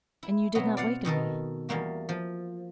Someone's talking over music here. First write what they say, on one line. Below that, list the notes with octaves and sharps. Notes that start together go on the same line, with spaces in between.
"And you did not awaken me?"
E4
B2 F#3 B3 C4
D5 F5 F#5
B2 D#3 A4 A#4
E2 G3 A#3 F#4
F3